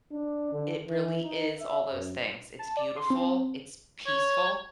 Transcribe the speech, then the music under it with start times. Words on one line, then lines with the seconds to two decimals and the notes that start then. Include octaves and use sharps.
it really is all those things, it's beautiful, it's peaceful
0.12 D4
0.52 D3
0.88 E3
1.23 D#4
1.58 E5
1.92 F#2
2.59 A5
2.77 D5
2.96 C6
3.10 C4
4.07 C#5